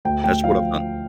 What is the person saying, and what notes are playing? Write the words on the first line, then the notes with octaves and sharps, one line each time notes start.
That's what I've done.
D2 G5
D2 G5
F3 F5